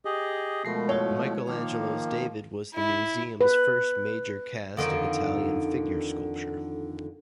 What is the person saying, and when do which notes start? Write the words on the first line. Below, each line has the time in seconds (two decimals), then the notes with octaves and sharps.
Michelangelo's David was the museum's first major cast of Italian figure sculpture.
0.05 G4 G#4 D#5
0.65 B2 F3 G#3 A3 A#4 B5
0.89 G#3 E4 F#4 C#5
1.46 D#3 F3 A#3 F5 D6
2.75 E4
3.41 B4
4.77 F2 D3 D#3